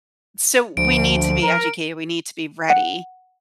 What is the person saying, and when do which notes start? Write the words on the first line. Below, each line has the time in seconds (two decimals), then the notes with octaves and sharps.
so, we need to be educated. We need to be ready
0.77 D2 F3 D7
1.43 A#4
2.70 F#5